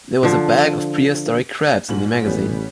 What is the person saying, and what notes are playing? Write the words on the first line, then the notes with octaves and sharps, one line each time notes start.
There was a bag of prehistoric crabs in the magazine.
D3 F3
A#1 G#2 F#7
A1 G3 B3 C#4